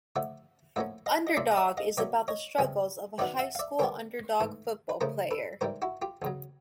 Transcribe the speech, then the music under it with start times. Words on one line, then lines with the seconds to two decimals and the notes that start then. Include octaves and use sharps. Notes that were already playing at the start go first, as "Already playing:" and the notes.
"Underdog" is about the struggles of a high school underdog football player.
0.16 D3 F3 A3 E5 F#5
0.76 A2 F3 A#3 C#4 E5 F#5
1.06 D#5 F5
1.27 D#5
1.37 C3 F3 A#3 C#4 D5 E5
1.51 D#5
1.57 D5 E5
1.77 D#5 F5
1.98 B2 F#3 A#3 C#4 D5 E5
2.28 C#5 D#5
2.58 F#2 C#3 E3 G3 C4
3.18 F#2 D#3 F#3 B3 D5 E5
3.39 E5 F#5
3.55 F5
3.59 D5 E5
3.79 D3 G3 B3 A#4 C5
4.40 G#2 E3 A3
4.89 B4
5.01 C#3 F3 A3 C#4 A#4 C5
5.31 A4 B4
5.61 G#2 E3 G3 A#4 C5
5.82 E4 F#4
6.02 F4 G4
6.22 E2 C#3 F#3